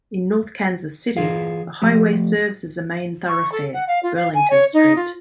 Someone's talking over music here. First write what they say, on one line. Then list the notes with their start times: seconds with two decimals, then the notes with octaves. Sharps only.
In North Kansas City, the highway serves as a main thoroughfare, Burlington Street.
1.17 E3 F4 G#4 F5
1.82 F3 A3 G4
3.28 C#6
3.52 A4
3.73 F#5
3.87 F5
4.02 F4
4.15 F5
4.34 G#5
4.50 C#5
4.73 D#4
4.95 F4